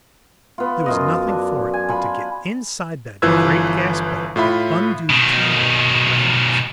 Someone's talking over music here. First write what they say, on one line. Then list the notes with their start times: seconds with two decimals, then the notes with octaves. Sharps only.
There was nothing for it but to get inside that great gas-bag and undo the tangle with my hands.
0.58 B3 F4
0.86 F#2 F4 D#5
1.27 D4
1.74 G#5
1.89 F4 G#5 B5
3.22 G1 E3 F3 B4 E6 G#6
4.36 A2 F4 E5 B5
5.10 B2 D#3